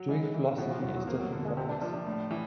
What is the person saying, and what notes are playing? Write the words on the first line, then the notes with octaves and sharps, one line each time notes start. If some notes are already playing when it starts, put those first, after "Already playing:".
Doing philosophy is different from this.
Already playing: F#3
E3 G#3
E3
B2 F#3
F3
E2 F#3
F#3
F3 A#3
F#3
D3
G#3
C3 C4
D4
F3 D4
D4
A2
E3